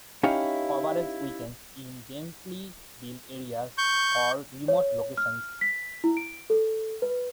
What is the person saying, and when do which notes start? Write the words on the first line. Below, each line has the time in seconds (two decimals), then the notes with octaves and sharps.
Coverage weakens in densely built areas or remote locations.
0.23 C#4 D#4 E4 G4 C#5 F5
3.78 C#6 G6
4.68 C#5
5.17 F6
5.61 B6
6.04 E4
6.17 D7
6.50 A4
7.02 B4